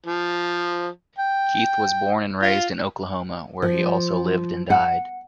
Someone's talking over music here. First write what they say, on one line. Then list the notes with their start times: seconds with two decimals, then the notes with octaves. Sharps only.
Keith was born and raised in Oklahoma, where he also lived and died.
0.06 F3
1.18 G5
2.42 F4
3.63 F3
4.70 F#5